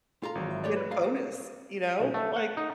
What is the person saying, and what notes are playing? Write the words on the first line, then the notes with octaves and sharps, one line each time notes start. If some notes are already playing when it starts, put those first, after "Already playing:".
get a bonus, you know, like
F4 G#4 A4 F5 A#5
G#1 G#2 E3 F#3
E5
A3 G4 C#5 D5
B4
G#2 F5 A#5
B1
A3
F#5
D#4